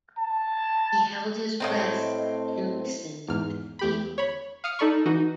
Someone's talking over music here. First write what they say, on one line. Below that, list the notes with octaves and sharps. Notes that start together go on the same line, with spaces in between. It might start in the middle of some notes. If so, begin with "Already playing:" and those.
He held his breath, and listened at the key-hole.
A5
A2 C#3 C4 D#5
E2 G#2 F6
E2 G4 B5
C#5 B5
F5 D#6 F6 C#7
D#4 A4 D5 B5 C#6
E3 D#4 F#4